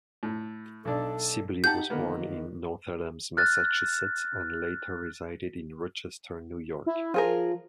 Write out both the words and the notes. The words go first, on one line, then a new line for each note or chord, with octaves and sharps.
Sibley was born in North Adams, Massachusetts, and later resided in Rochester, New York.
A2
B1 D4 A4
D#4 G4 F#5 A5 G6
D3 D#3 A#3 B3
F6 F#6 A6
E4
F3 F4 G#4 A#4